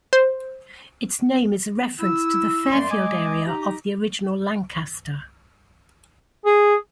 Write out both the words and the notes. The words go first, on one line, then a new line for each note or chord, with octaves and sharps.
Its name is a reference to the Fairfield area of the original Lancaster.
C5
E4 E6
F#2 F#3 A3 A#3 D5 C6
G#3 D#5 G#5 D6
D#4 G4 A#5
G#4